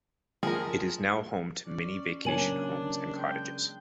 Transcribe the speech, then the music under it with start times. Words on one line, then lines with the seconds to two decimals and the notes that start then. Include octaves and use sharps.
It is now home to many vacation homes and cottages.
0.43 F3 G#4 A#4
1.65 C#4 D5
2.25 C#3 F#3 A#3 D4 C#5 G#5 A5 F#7
3.16 G#3 G5